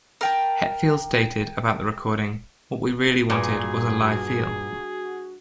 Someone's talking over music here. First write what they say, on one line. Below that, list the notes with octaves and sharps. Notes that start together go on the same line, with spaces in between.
Hetfield stated about the recording: What we really wanted was a live feel.
A#4 G5 A5
G2 A#2 F#4 G#4